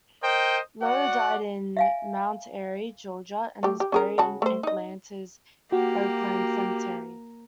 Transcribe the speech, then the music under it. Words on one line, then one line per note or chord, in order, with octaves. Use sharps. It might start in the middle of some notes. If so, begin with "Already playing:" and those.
Lowe died in Mount Airy, Georgia, and is buried in Atlanta's Oakland Cemetery.
A#4 C5 D#5 G5
F#4 D5 F#5
E5 F5 G#5
A3 G4
G4
C#4 G#4 A#4
C#3 F#4 A5
A3 C5
D#4 D#5
A#3 F#4 G4